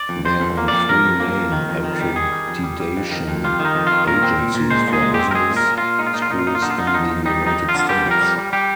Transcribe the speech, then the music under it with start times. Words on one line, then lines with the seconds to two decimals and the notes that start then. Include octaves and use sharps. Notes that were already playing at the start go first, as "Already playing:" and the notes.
There are three main accreditation agencies for business schools in the United States.
Already playing: D5
0.09 F2
0.25 F2 C5
0.40 F2
0.57 A#3
0.68 F2 D5
0.89 F2 A#4
1.05 F2
1.20 A#3
1.36 F2
1.52 D#3
1.69 F2
1.84 D#3
2.00 G3
2.16 D#3 G#4
2.32 G3
2.48 F2
2.63 G3
2.80 G3
2.96 F2
3.11 D#3
3.28 F2
3.44 G3 F4
3.60 D#3
3.65 D#4
3.75 F2
3.87 F4
3.92 D#3
4.07 A#2 A#4
4.23 C4
4.39 A#2
4.55 A#2
4.70 G#3 C5
4.88 A#2
4.93 G#4
5.02 G#3
5.14 C4 G4
5.31 A#4
5.34 G#3 G#4
5.51 A#2
5.57 A#4
5.67 A#2
5.78 A#2 F4
5.99 G#3 D#4
6.07 F4
6.14 A#2 D#4
6.22 F4
6.30 A#2 D#4
6.39 F4
6.47 A#2 D#4
6.55 F4
6.62 D3 D#4
6.70 F4
6.78 D3 D#4
6.87 F4
6.94 F2 D#4
7.11 F2
7.25 G3 D#4
7.42 F2 D#4
7.58 F2
7.69 F4
7.74 D3
7.79 F4
7.89 G3 G4
8.06 F2 A#4
8.21 G3
8.38 G3
8.53 G3 G4